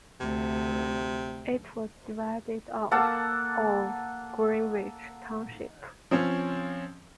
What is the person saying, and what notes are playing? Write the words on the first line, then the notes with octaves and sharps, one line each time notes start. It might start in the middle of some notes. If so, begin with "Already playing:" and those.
It was divided off of Greenwich Township.
D2 C3
A#3 A4 F#5 A5
F3 C4 C#4